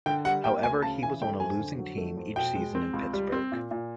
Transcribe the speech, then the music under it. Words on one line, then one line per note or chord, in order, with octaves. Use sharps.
However, he was on a losing team each season in Pittsburgh.
D3 G5
G3 F#5
A#3 G5
D2 G#5
C#3 A5
E3 G#5
A3 G5
F2 G#5
D3
F#3
A3
F2
B2 G5
G#3
C4
C#2
G3
C4
A#2
A#2